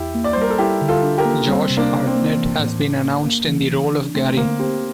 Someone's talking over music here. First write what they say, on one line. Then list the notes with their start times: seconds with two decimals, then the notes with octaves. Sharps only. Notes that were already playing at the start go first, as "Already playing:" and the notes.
Josh Hartnett has been announced in the role of Gary.
Already playing: E2 E4 G4
0.15 A#3
0.24 D5
0.33 G3 C5
0.41 A#4
0.50 A4
0.58 G3 E4 G4
0.81 D3
0.88 F4 A4
1.03 D4
1.18 G4 A#4
1.25 A#3
1.47 G3 C4
1.70 C3
1.77 A#3 D4
1.92 C3
2.07 C4
2.15 A#3
2.37 E3
2.59 A2
2.81 D4
3.04 A#3
3.25 A#3
3.48 E3
3.71 E3
3.93 D4
4.15 A3 C4
4.37 D3 A#3
4.59 C4 G4